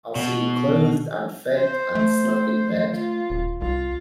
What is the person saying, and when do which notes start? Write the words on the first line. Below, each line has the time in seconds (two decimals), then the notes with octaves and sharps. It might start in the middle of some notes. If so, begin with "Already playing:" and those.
I’ll see you clothed and fed and snug in bed.
0.16 B2
1.57 C5
1.95 A3
2.93 F4
3.30 D#1
3.61 C2 F4